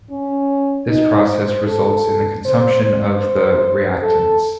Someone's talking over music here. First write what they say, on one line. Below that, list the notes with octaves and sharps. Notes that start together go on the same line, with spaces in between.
This process results in the consumption of the reactants.
C#4
D#4
C5
A4
C5
C5
A4